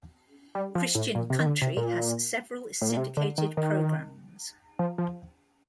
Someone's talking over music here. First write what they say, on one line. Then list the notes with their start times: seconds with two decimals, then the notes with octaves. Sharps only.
Christian country has several syndicated programs.
0.55 G3
0.75 F3
0.95 A2
1.15 A#2
1.30 C3
1.40 D#3
1.46 D3
1.62 C3
1.77 A#2
2.82 A2
2.90 A#2
2.97 C3
3.17 D3
3.38 D#3
3.57 D#3
4.79 F3
4.98 F3